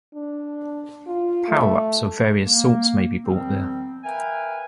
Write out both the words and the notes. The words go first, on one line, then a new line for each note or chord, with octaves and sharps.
Power-ups of various sorts may be bought there.
D4
F4
A3
A#3
E2 D#3 F3 G3 C4
A#4 B4 E5 F5 G5 G#5